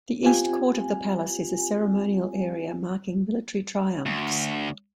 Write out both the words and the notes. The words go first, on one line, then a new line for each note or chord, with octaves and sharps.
The east court of the palace is a ceremonial area marking military triumphs.
C4 F4 G4 G#5
D2